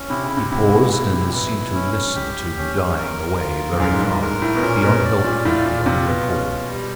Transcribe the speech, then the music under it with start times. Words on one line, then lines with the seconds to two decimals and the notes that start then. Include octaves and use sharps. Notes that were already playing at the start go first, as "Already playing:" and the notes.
He paused, and seemed to listen to them dying away very far--beyond help and beyond recall.
Already playing: C#4
0.09 C3 E4
0.23 C#3
0.37 C3
0.50 C3 E4
0.71 B2
0.83 A#2
0.92 B2 E4
1.13 C3
1.23 A#2
1.33 B2 E4
1.74 C#4
2.15 G4
2.57 C#4
2.98 A#4
3.39 F4
3.73 F2
3.80 F#2 A#4
3.92 G#2
4.01 G2
4.11 G2
4.22 G#2 A#4
4.42 A2
4.55 B2
4.63 A#2 C#4
4.83 B2
5.04 D5
5.24 A#2
5.45 A2 F4
5.66 A#2
5.86 C3 F4
6.07 B2
6.27 C#4
6.68 G3